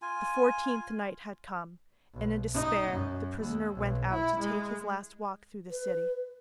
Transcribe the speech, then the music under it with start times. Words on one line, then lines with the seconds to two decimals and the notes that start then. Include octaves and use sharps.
The fourteenth night had come, and in despair the prisoner went out to take his last walk through the city.
0.02 F4 G#5
2.13 B1
2.54 D#4
2.91 F#2
3.39 D#2
3.74 B1
4.11 E4
4.40 G#3
5.71 B4